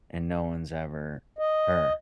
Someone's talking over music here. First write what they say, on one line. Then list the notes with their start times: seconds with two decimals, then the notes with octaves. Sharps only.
and no one's ever her,
1.39 D#5